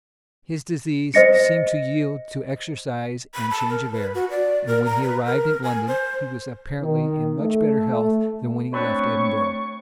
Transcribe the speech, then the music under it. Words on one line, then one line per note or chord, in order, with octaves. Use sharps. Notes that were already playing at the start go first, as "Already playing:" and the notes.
His disease seemed to yield to exercise and change of air; and when he arrived in London, he was apparently in much better health than when he left Edinburgh.
C5 D#5 A#6 C#7
B5
A5
A#4
B4
F#4
D5
A#4
A#5
B4
A#4
G#5
C5
D#3
A3
A3 C4 D4 B4 C#5 C#6